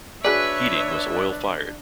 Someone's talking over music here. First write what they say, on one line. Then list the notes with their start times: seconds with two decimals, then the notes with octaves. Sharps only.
Heating was oil fired.
0.25 D4 F#4 G#4 B4 C#5 D5 E5